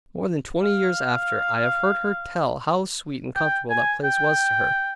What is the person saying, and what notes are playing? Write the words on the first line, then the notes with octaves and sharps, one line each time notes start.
More than twenty years after, I have heard her tell how sweet and comfortable that place was to her.
F5
G5
G#5
G5